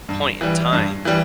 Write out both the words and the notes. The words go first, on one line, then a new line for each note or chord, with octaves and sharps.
point in time
G2
E3 G3
G2
E3 G3